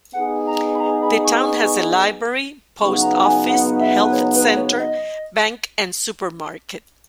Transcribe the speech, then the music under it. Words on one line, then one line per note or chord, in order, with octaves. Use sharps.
The town has a library, post office, health centre, bank and supermarket.
B3 D#4 G#4 F#5
A#5
B5
A#5
B5
C#6
C#3 F#3 B3 D#4 C#6
A#5
A#5
G#5
F#5
E5
B4
C#5
B4
B4
C#5
D#5